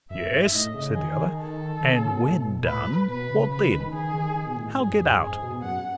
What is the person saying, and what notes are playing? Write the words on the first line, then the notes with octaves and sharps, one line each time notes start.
'Yes,' said the other, 'and when done, what then? How get out?
F#2 E5
G#2
A2 D#5
C#3
D#3 G#4
A4
D#3
C#3
B2
A2
B2
A2 B4
B2 B4
C#3
C#3 B4
D#3
D#3 G#4
D#3
D#3
B2
A2
A2
G#2 G#4
F#2
E2
F#2
G#2 G#4
B2
F#2 F#5